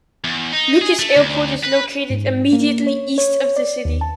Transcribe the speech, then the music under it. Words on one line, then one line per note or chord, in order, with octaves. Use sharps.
Lucas Airport is located immediately east of the city.
E2
D#4
G#4
A3
D2
B4
G#2
A#3
C#5
C#5
D5
D#2
A5